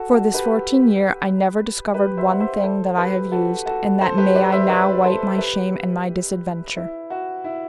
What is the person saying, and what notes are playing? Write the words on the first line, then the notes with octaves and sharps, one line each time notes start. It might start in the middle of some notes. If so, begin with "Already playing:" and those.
For this fourteen year I never discovered one thing that I have used, and that may I now wite my shame and my disadventure.
Already playing: F#4 A4
F#4 A4
G4 B4
G4 B4
C5 E5
F#5
C5 E5
A4 C5
G4 B4
F#4 A4
F#4 A4
A4 C5
G4 B4
B4 D5
C5 E5
B4 D5
A4 C5
G4 B4
E4
F#4
E4